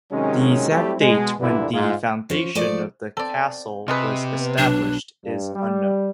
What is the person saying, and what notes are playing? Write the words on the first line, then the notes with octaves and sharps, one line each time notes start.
The exact date when the foundation of the castle was established is unknown.
C3 D#3 F#3 G#3 C#4
F#3 G3 A3 C4 E4 G4
B2 G#3
B1 G2 A#2 D3 E4 B4
G#2 F4 G#4
F3 C#4
F3 A3 D5
C4 A4 D5
C3 F4 G#4 B4 D#5 D#6 E6
B3
B1 D4
G2
G3